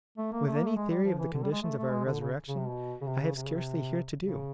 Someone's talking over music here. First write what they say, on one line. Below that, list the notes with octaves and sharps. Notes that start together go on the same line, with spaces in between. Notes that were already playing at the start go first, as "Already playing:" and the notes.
With any theory of the conditions of our resurrection, I have scarcely here to do.
A3
A#3
A3
A#3
A3
G#3
G3
F3
E3
D3
G3
G#3
A3
A3
G#3
D3
C#3
C#3
C3
B2
C#3
C3
C#3
C3
C#3
C3
C#3